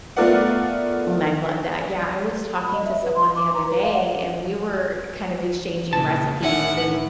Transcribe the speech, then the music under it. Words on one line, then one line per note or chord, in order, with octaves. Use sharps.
and I love that. Yeah, I was talking to someone the other day, and we were kind of exchanging recipes, and
A3 B3 F4 A#4 D5 F#5
B5
D#5
E5
B4
C6
D6
A#5
B4
F5
F#5
A#2 C#3 A5
A2 C#4 E5 F#5 G#5